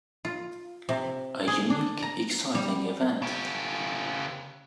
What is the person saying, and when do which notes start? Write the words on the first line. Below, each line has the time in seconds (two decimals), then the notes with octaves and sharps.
A unique, exciting event.
0.25 F4
0.89 C3
1.48 G#4
1.70 D4
2.02 A#5
2.55 G3
3.22 C#3 G4